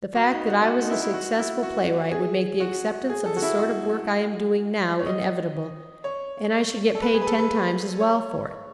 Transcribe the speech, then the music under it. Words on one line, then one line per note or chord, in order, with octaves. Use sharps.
The fact that I was a successful playwright would make the acceptance of the sort of work I am doing now inevitable, and I should get paid ten times as well for it.
F#4
D#4
F#4
F#4
D#4
E4
E4
F#4
E4
F#4
G#4
F#4
G#4
A4
F#4
E4
F#4
C#5
D#5
C#5
A4
B4
G#4
B4
A4
B4
C#5